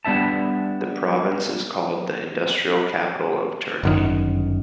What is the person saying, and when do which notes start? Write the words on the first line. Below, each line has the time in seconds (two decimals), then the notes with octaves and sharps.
The province is called the industrial capital of Turkey.
0.05 G3 B3 D4 E5 A5
3.83 G1 F#2 D#3